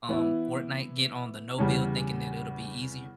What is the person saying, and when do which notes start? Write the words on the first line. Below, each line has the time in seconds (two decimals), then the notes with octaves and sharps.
um, Fortnite get on the no-build thinking that it'll be easier.
0.09 E3 B3 E4
1.58 E2 C#3 G3 C#4